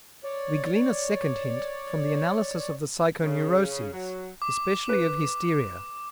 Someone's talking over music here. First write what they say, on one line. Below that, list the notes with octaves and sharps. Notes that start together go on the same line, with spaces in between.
We glean a second hint from the analysis of the psychoneuroses, especially of hysteria.
C#5 D5
C#3
F#3
D6
B4